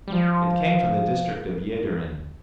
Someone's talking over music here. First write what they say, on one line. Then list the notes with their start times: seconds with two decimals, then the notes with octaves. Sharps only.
It came from the district of Jaederen.
0.08 G3
0.12 F3